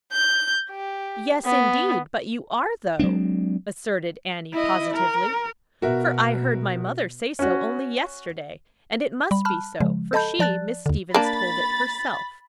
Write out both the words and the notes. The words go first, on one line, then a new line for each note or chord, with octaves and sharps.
"Yes, indeed, but you are though," asserted Annie positively; "for I heard my mother say so only yesterday; and it must be so, for she Miss Stevens told it herself."
G6
G4
B3
F#3 G#3 C4 D4
E4 D#5
A#4
B2 F#4 A#4 E5
C#4 F#4
G3 B5
A5 B5 F6 F#6
C#3 F3 G#3
A4 D#5 A5 B5 G6
F3 D5 A5 F#6 A6
D#2 D3
A#3 D4 B5 A6